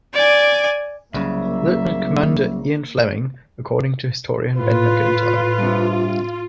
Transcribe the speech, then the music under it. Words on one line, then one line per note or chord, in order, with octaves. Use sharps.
Lieutenant Commander Ian Fleming, according to historian Ben Macintyre.
D5 G#5
C2 C#3 F#3 A#3 E5
A2 F4 B4
G2 C3